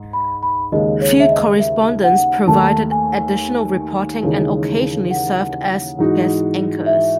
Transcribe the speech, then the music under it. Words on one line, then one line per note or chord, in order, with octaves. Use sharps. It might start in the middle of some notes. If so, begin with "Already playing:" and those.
Field correspondents provided additional reporting and occasionally served as guest anchors.
Already playing: G#2
B5
B5
D#2 C#3 G#3 D#5
C#5
E5
D#5
E5
F#5
D#2 D#3 A3 A5
G#5
D#2 C#3 E3 G#3 D#4
F#5
G#2 E3 G#3 D#4 F#4
E5